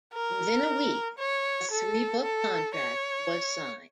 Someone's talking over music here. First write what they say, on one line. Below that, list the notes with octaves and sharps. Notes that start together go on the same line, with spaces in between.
Within a week, a three-book contract was signed.
A#4
C#5
A4
A4
C#5